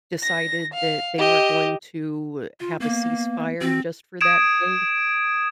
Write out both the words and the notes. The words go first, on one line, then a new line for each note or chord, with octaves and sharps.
decided that they were going to have a ceasefire just for that day
A#6
F5
G4 D#5
F4
A#3 B3
E3 C4 F#4
D#6 G#6 D7 E7